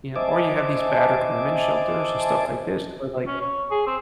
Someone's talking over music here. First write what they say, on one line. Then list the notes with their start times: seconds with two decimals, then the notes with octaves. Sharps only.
you know, or you have these battered women's shelters and stuff like this to where, like,
0.16 C5 D#5 E5 G#5 A5 D6
3.27 C#4
3.41 C#5
3.71 G#4
3.87 C4